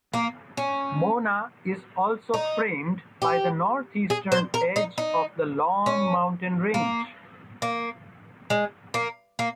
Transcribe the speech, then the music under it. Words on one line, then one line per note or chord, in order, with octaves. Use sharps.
Mona is also framed by the north-eastern edge of the Long Mountain range.
A#3
C#4
D#4
G4
G#4
C5
A#4
D#4
D#4
C#4
A#3
A#3
G#3
A#3
A#3